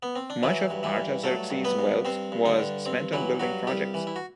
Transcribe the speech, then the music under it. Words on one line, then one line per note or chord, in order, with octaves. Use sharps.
Much of Artaxerxes' wealth was spent on building projects.
B3
C4
D4
E3 F#3 E4
G2
E3 E4
G2
F#3 A3 A4
G2
B3 B4
G2
G2 C4 C5
G2
D3 D4
G2
G2 C4
E3 F#3 E4
G2 F#3 F#4
C2 G3 G4
E3
E4
F#4